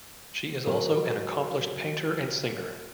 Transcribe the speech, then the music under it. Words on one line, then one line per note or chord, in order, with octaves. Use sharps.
She is also an accomplished painter and singer.
F#3 A#4 D#5